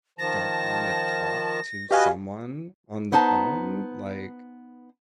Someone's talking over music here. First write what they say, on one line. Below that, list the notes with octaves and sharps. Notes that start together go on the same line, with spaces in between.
don't want to talk to someone on the phone, like
D#3 F3 A5 A#6
F#4 G4 B4 D#5 F5 G#5
B3 D#4 C5 A5 A#5